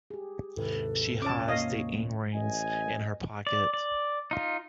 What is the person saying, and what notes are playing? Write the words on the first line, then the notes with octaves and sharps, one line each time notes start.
She hides the earrings in her pocket.
G4 G#4
D#2 G#2 C3 D#3 E4 A4 B4
C#4 F4 C#5 A5 D6
A#3 D#5 F5
A1 D#5 G#5
D5
D5
D#4 F4